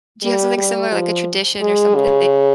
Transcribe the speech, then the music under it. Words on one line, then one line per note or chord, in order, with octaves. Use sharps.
do you have something similar, like, a tradition or something
G3
G3
F3
G#3
C#3